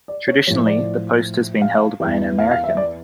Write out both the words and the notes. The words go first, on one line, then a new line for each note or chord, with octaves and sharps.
Traditionally, the post has been held by an American.
D5
C#5
A2 F3 C#5
D5
F5
E3
E2
F5
F5
E5
D5